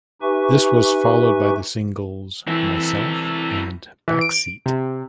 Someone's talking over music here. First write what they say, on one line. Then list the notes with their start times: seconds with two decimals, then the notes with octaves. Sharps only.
This was followed by the singles "Myself" and "Backseat".
0.22 D#4 G4 B4 E5 G#5 C#6
2.47 E3 C4 E4 A4
4.08 E3
4.21 D7
4.66 C3